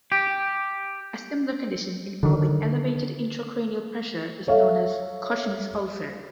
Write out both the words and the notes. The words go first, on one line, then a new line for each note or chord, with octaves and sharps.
A similar condition involving elevated intracranial pressure is known as Cushing's ulcer.
G4
D3 D#3
A4 C#5 E5 F5